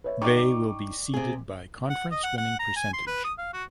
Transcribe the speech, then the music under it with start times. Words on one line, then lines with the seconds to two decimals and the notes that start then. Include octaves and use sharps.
They will be seeded by conference winning percentage.
0.04 B4 C#5 E5
0.22 D#4 D5 D#5 G5 C#6 D6
1.14 C3 G#4
1.90 F#5
2.11 D#5
2.24 F#5
2.38 F#5
2.59 A#5
2.76 G#5
2.93 C6
3.07 B4
3.24 D#6
3.38 F5
3.53 F#4